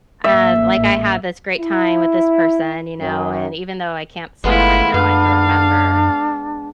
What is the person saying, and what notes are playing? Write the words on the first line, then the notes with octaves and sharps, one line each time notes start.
uh, like, I had this great time with this person, you know, and even though I can't see them right now, I can remember
A1 A2 A#3 E5
E4
F#2
G1 G#3 A3 B3 E4 F4
F#2 B3 D4 F5